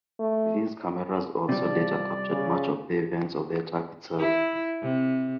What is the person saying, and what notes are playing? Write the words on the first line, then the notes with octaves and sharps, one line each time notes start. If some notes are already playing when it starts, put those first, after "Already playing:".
These cameras also later captured much of the events of the attack itself.
A3
C3 F3 G3 D5
C#3
E4
C3